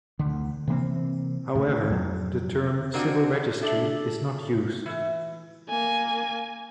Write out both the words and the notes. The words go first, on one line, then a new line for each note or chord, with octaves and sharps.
However, the term 'civil registry' is not used.
D2 D3
C3 E3 A#3 C4
A2 D#3
F2 F#3
A#3 C4 D4 F#4 D#5
D4 A4 E5
E3
A#3 G#5